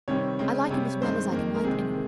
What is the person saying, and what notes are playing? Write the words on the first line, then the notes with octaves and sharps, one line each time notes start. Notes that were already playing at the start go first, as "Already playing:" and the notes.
I like him as well as I can like any one.
C3 D#3 G3 C4 C#5
C#3 G#3 C4
C3 G3 C4 C#5
C#5
G2 D#3 G#3 C4 C5
F2 D#3 A#3
A#4
C3 D#3 G#3 C4 G#4